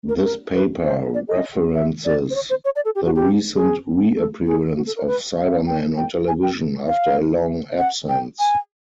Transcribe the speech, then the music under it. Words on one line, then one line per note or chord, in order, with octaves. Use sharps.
This paper references the recent reappearance of Cybermen on television after a long absence.
A#4
A#4
B4
C5
D5
D#5
E5
D5
C5
C#5
C5
C#5
D5
A4
G4
F#4
G4
G#4
A4
G#4
F#4
A4
A#4
B4
F5
E5
F5
G5
G5
G#5
G5
F5
F#5
G5
G#5